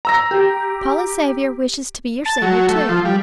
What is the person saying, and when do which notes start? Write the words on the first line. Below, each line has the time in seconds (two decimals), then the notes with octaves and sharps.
Paula's Saviour wishes to be your Saviour too.
0.05 A#5 E6 A#6
0.31 G4
2.26 A5
2.42 F#3
2.69 A3
2.89 F3
3.05 G3